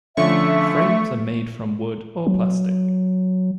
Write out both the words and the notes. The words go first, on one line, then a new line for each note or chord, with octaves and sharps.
Frames are made from wood or plastic.
D3 F3 A3 C#4 E5 C#6
F#3